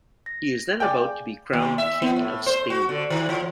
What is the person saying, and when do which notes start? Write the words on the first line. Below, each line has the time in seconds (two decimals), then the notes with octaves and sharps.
He is then about to be crowned King of Spain.
0.26 A#6
0.80 G#4 D5 F5 G5 G#5
1.53 D#2
1.78 E5
2.02 B3
2.16 A2
2.46 C5
2.70 F#4
2.89 D3
3.10 D#3
3.29 E3